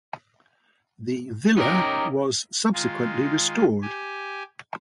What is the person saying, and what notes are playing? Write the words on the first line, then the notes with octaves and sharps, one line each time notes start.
The villa was subsequently restored.
B3 C#4 D#4 G4 A#4
D#3 G#3 F4
G4 G#5